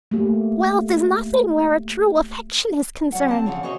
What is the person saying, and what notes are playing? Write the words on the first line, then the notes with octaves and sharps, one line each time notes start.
Wealth is nothing where a true affection is concerned.
A3 A#3 G4
F#3 G3 F#5
C4 A5
C#3 E3 F3 G#4 F#5
E3 F#4 G#4 C5 C#5 D#5